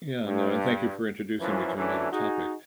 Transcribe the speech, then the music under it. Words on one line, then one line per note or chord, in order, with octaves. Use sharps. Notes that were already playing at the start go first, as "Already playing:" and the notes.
Yeah, no, and thank you for introducing me to another topic.
G2
F#2 E3 F3
D2 E3 F#3 A3 C#4 D4
D#4 F#4 G#4